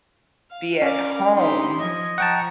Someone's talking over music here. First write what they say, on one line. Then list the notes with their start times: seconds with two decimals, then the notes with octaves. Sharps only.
be at home,
0.50 F5
0.82 C#4 A#4 D5 F5
1.36 D#4 E4 G4 C6
1.80 F3 D#5 G#6
2.18 F3 F#5 G5 A5 A#5 C#6